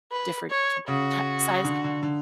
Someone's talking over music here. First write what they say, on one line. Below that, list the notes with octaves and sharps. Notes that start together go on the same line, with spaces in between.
different t ta size,
B4
C#5
C#3 F#4
D3
D3
D3